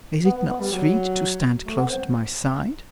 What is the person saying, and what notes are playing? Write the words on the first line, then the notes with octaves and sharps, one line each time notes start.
Is it not sweet to stand close at my side?
B3
B3
B3
G3
F#3
A3
B3
C4